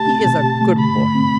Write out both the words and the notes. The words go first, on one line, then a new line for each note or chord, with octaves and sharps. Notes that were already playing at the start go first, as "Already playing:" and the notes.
He is a good boy.
Already playing: A3 G4 A5
C4
B2
G4
A3
D3 B5
A3
C4